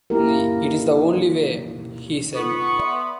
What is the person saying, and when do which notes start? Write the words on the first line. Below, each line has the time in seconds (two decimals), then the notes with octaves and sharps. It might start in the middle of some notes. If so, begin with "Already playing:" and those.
"It's the only way," he said.
0.10 A#3 E4 G4 A#4
2.35 B3 D#4 F4 A4 C#6
2.79 D5 E5 C6